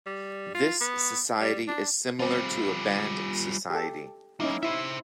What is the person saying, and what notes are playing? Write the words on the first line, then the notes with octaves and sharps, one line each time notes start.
This society is similar to a band society.
G3
F4
B3
G3
D4
G3 C4 F4
G4 A4
F#3 A#3 C#4 D#4 E4
E4 C5 E5